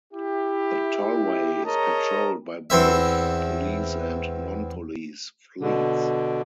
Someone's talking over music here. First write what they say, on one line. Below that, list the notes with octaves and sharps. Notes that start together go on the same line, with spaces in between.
The Tollway is patrolled by both police and non-police fleets.
E4 G4
G#4 A#4 C#5 D#5 A5 A#5
E2 C4 E5
B2 D3